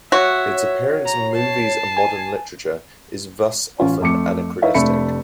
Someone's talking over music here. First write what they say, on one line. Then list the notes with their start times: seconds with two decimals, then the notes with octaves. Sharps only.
Its appearance in movies and modern literature is thus often anachronistic.
0.12 F#4 C#5 E5
1.06 A#5
1.35 A5 C7
1.97 G#5
3.80 A1 C#4 F4
4.01 F2 A3 D6 C#7
4.62 D#4 E4 B4 C#5 E5 F5
4.74 F1 A3 D4 E5 B5 C#7